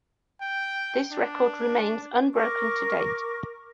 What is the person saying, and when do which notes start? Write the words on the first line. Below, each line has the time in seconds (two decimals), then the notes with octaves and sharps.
This record remains unbroken to date.
0.41 G5
1.12 D4
2.34 A#4 C#6 D6